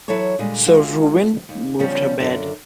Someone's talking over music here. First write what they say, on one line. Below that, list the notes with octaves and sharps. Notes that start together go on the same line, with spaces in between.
So Reuben moved her bed.
E3 F#3 E4 F#4 A4 C#5
A#2 D3 G3 G#3
C3 G#3 F4 F#4
D#2
C#3 F3 G3 B3 C#4
F#2 D3 F4 A4